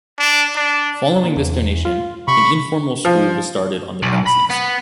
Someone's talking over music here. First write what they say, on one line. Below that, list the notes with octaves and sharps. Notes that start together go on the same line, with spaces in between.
Following this donation an informal school was started on the premises.
D4
D4
A#2
E2
F4
C3 B5 C#6
F3
B1
B5
B3